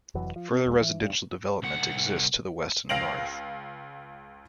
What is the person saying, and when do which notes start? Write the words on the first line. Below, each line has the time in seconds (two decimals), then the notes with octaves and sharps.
Further residential development exists to the west and north.
0.15 F1 F2 E3 F#3
0.36 F3
0.51 C4
0.66 E1 G#3
0.81 E3
1.02 G2
1.63 C2 F#5
2.89 C#2 F5 A#6 D7 F7 F#7